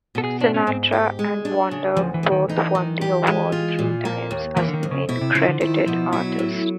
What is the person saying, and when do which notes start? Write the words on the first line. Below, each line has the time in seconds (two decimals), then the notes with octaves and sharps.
Sinatra and Wonder both won the award three times as the main credited artist.
0.15 B2 A4
0.24 G#4
0.40 G#2 D4
0.54 C#4
0.67 G#2 C4
0.92 G4
1.19 G#3
1.45 D4
1.71 C#3
1.97 D2 F3
2.14 E3
2.23 D2
2.32 D#3
2.48 E3 D#4
2.75 D#3
3.01 G4
3.27 G#3
3.52 F4
3.79 A#2
4.05 A#3
4.31 D#2
4.56 E3 A#3
4.68 D3
4.74 D#3
4.83 F2
4.91 C#3
5.09 B2 E4
5.21 C3
5.35 C#3 F3
5.48 D3
5.61 D#3 E4
5.86 B2 F3
6.13 F#3 E4
6.39 A2